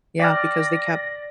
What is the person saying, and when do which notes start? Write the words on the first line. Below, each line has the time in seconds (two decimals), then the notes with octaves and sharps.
Yeah, because they kept
0.20 D5 G5 D6 F6 A#6